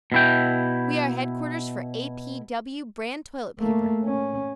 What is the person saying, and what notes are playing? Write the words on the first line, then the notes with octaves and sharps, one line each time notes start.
We are headquarters for A. P. W. Brand Toilet Paper.
B2 E4 G5
A3 A#3
C#4